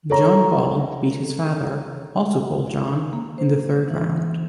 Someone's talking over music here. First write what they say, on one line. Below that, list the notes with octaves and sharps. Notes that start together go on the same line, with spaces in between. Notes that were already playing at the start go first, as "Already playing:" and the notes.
John Ball beat his father, also called John, in the third round.
A4 C#5 A#5
A#3
C5
E3